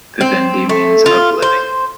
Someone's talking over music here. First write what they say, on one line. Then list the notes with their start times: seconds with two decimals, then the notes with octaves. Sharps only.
"Vivendi" means "of living".
0.21 C4
0.69 A3
1.06 F4
1.42 C5